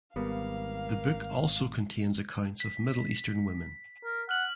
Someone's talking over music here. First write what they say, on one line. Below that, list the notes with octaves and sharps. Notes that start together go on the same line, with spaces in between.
The book also contains accounts of middle eastern women.
G#1 G3 A#3 B3 F5
B6
A#4
F#5 F6 F#7